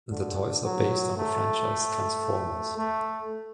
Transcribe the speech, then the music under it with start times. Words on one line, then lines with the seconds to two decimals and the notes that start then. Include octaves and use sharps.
The toys are based on the franchise Transformers.
0.11 D3
0.65 F#3
1.18 A3
2.78 A3